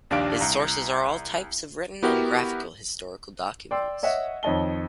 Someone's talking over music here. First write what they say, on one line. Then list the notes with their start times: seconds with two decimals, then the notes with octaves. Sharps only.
His sources are all types of written and graphical historical documents.
0.10 A#1 D#2 D4 G4 F5 D7
0.41 C2 A#5
2.03 B3 E4 F#4 G4 A#4
3.71 D5 G5 C6 E6
4.03 C#5 D#5 E5 F#5
4.43 F2 D#3 C#5 D#5 A5 G7